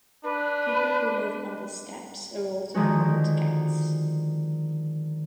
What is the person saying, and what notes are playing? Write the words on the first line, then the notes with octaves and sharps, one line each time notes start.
People who live on the steps are also called ghats.
D4 B4
D3 D#3 F3 G#3 F#4